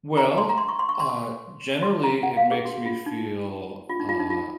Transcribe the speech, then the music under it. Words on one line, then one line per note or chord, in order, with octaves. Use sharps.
Well, uh, generally, it makes me feel, uh,
A#5
C6
A#5
C6
C#6
C6
C#6
C6
C6
A#5
F#5
F5
G#4
F#4
F4
D#4
F4
D#4
F4
D#4
F4